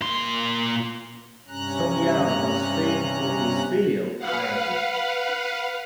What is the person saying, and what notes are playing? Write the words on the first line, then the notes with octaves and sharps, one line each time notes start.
Song Yang was famed for his filial piety.
A#2 C6
G2 C3 C#4 A#5 F#6
B4 F5 F#5